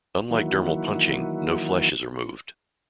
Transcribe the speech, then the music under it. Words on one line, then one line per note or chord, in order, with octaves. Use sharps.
Unlike dermal punching, no flesh is removed.
D#3 E3 F#3 A#3 E4 F#4